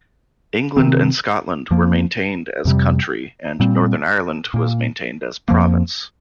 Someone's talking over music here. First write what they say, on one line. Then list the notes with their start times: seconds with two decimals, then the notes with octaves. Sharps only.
England and Scotland were maintained as "country" and Northern Ireland was maintained as "province".
0.77 C3 D#3 C4
1.71 F2 F3 A#3
2.65 F2 C3 G3
3.60 A#2 G3 C4
4.54 A#2 A#3
5.48 F2 F3 A#3